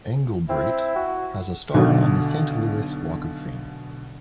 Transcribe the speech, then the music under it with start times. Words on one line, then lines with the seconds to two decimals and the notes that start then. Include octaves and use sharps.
Engelbreit has a star on the Saint Louis Walk of Fame.
0.50 C4 E4
0.96 F#4
1.74 B1 B2 D3